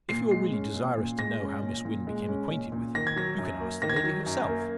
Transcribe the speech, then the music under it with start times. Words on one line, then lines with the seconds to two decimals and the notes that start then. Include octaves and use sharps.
"If you are really desirous to know how Miss Wynn became acquainted with him, you can ask the lady herself."
0.09 A#2 C7
0.31 G#3 C7
0.53 C#4
0.75 A#2
0.97 A#2
1.18 G#3 A#6
1.40 C#4
1.62 A#2
1.85 A#2
2.07 G#3
2.29 C#4
2.51 A#2
2.72 A#2
2.95 D#3 A#6
3.07 G#6
3.16 F#3 A#6
3.38 F#2
3.60 A#3
3.82 D#3 A#6
3.90 G#6
3.96 A#6
4.04 F#3
4.26 F#2
4.48 A#3